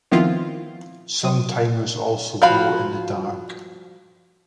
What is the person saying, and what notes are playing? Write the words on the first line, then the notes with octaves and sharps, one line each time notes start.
Some timers also glow in the dark.
D#3 F3 B3 C4 E4 F4
F#3 D#6
F3 F#4 F5 B5